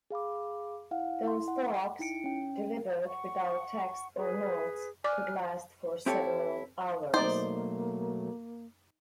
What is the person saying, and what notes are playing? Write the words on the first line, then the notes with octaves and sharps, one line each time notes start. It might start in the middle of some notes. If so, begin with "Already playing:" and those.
Those talks, delivered without text or notes, could last for several hours.
G#4 F5 B5 D6
E4 F5 F#5
E4 C6
F#5
D#4 E4 G5 C#7 D7
C#4 G5
F#5 C#6
G#4 B4
D5 G#5 D6 F6 F#6
C4 E4 G4 A4 C#5
B2 F#3 A3 A#3 D#4 C5 D5